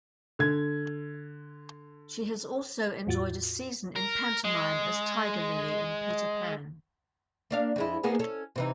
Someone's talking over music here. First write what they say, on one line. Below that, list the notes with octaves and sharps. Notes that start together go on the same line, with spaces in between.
She has also enjoyed a season in pantomime as Tiger Lilly in "Peter Pan".
D3 G#6
E2 A2 F4 F#4 A6
A#4
G#3
A#3 D4 F5
F2 G#3 E4
A#3 B3 G#4
C#4 A4
C3 E3 D#4